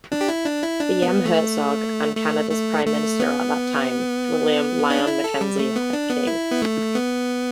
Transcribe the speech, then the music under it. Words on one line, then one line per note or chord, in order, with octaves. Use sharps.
B. M. Hertzog and Canada's Prime Minister at that time, William Lyon Mackenzie King.
D4
G4
E4
D4
E4
D4
B3
A3
A3
A3
A3
B3
D4
E4
A4
G3
A3
B3
D4
B3
E4
B3
A3
B3